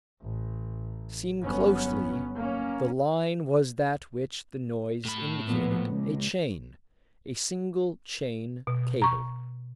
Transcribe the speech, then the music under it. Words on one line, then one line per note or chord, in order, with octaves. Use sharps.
Seen closely the line was that which the noise indicated, a chain--a single chain cable.
A1
G1 F#3 B3 C#4
A#3 C#4
A2 B5
A#2 F3 B3
C#2
B2
A#5 C#6